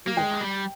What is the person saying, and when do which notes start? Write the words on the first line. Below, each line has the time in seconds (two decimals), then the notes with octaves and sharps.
Ooh, yeah.
0.07 A#3
0.17 G#3 G5
0.41 G3